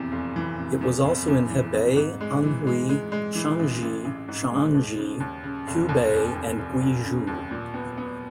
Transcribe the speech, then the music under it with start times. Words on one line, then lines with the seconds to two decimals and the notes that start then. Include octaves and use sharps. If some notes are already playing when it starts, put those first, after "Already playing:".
It was also in Hebei, Anhui, Shanxi, Shaanxi, Hubei and Guizhou.
Already playing: F1 E2 C3 E3
0.12 F1
0.36 E3
0.59 C3
0.81 E2
1.05 F1
1.28 E2
1.50 E3
1.74 C3
1.96 G#2
2.20 G#3
2.44 E3
2.67 G#3
2.89 G#3
3.12 G#3
3.35 E3
3.59 A1
3.82 A1
4.05 A1
4.28 G#2
4.50 G#3
4.74 D#2
4.97 C#3
5.20 D#2
5.44 C#3
5.67 F1
5.89 D#2
6.13 F1
6.35 D#2
6.58 F1
6.81 F1
7.04 C#3
7.27 D#2
7.51 A#2
7.74 B3
7.98 B3